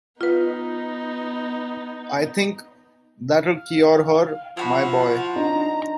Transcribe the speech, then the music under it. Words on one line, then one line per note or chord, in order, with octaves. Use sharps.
I think that will cure her, my boy.
B3 D#4 F4 B4
F5
F3 E4 F#4 F#5 B5
D4 D#4 A#5